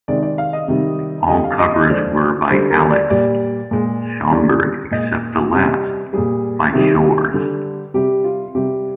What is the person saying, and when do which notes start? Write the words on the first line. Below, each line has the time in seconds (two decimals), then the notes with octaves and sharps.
All covers were by Alex Schomburg except the last, by Shores.
0.08 C3 D#3 G#3 D5
0.23 D5
0.38 F5
0.53 D#5
0.68 C3 D#3 G3
1.28 D3 G3 D#5
1.44 F5
1.59 D#5
1.74 D#5
1.89 D3 F3 G#3 D5
2.50 D3 G3 C5
2.70 A#4
2.90 D5
3.10 A#2 G3 D5
3.71 A#2 G#3
4.31 D3 G3 D5
4.91 A#2 G#3 D#5
5.53 C3 G3
6.13 A#2 G3 G#4
6.74 C3 D#3 G3 G4
7.34 D3 G3
7.94 C3 G3 G4
8.24 F4
8.55 C3 G3 G4